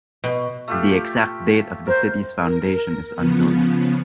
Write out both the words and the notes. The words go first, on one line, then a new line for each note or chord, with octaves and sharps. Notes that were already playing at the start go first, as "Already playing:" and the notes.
The exact date of the city's foundation is unknown.
B2
A3 F4 G4
A#4 C5
A#4
C#3 F3 B3